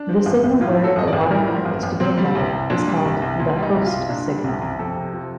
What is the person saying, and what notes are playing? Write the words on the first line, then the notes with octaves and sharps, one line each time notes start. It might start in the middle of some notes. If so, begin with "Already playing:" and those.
The signal where the watermark is to be embedded is called the "host" signal.
Already playing: D4
F3
A1
A1
A2 F4
F3
A4
A1 D#5
D5
A1
A2 A#4
F3
A1
A1
A#2 C4
G3
C2
C2
A#2 D4
G3
C2
C2
A#2
G3
D#4
C2
F4
C2
A#2 D4
G3
C2
C2
F2 A4
C3
F3